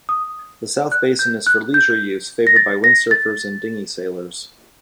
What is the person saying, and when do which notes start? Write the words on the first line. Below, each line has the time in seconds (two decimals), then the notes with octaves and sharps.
The south basin is for leisure use, favoured by wind surfers and dinghy sailors.
0.09 D#6
0.92 F#6
1.19 G6
1.47 F#6
1.74 G6
2.47 A#6
2.56 A6
2.84 A#6
3.11 A6